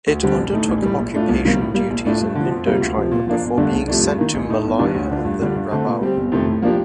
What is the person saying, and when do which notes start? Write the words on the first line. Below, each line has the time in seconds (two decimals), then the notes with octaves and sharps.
It undertook occupation duties in Indochina before being sent to Malaya and then Rabaul.
0.07 D2
0.21 D3 G3 C4 G4
0.37 A1
0.53 A2 A3 D#4
0.68 A1
0.82 A2 G3
0.98 A#1
1.13 A2 A3 D4 F4
1.28 C2
1.44 C3 D#3 G3 A#3
1.59 A2
1.74 G3 A#3
1.90 A#1
2.05 A2 A3 D4 F4
2.20 G2
2.35 D3 F3
2.50 F2
2.66 C3 G3 A#3 F4
2.81 D2
2.96 C3 F3
3.11 A#2
3.27 F3 A#3 D4
3.42 G1
3.57 G2 D3 A3 D4
3.72 C2
3.88 C3 F3 A3 D4
4.03 G2
4.18 D#3 A#3
4.34 A1
4.49 A2 A3 D#4
4.64 G1
4.79 G2 D#3 G3 D4
4.94 D2
5.10 D3 A3 D4 F4
5.25 G2
5.40 D3 G3 D4 F4
5.55 G2
5.71 D3 A3 C4
5.86 A#2
6.01 G3 C4 G4
6.17 G1
6.32 F2 C3 D#3 A3
6.47 A2
6.62 F3 A#3 D4 G4